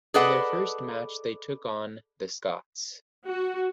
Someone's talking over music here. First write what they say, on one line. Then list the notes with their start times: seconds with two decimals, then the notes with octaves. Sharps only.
In their first match they took on 'the Scots'.
0.14 G#4 A4 B4 D5 D#5 F#5
3.27 F#4